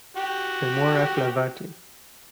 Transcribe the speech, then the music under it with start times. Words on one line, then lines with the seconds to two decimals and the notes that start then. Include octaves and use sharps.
Femora clavate.
0.17 F#4 G4